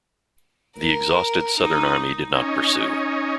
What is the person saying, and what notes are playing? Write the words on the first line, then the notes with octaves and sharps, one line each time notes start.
The exhausted southern army did not pursue.
A#4
D#4
C#4 D#4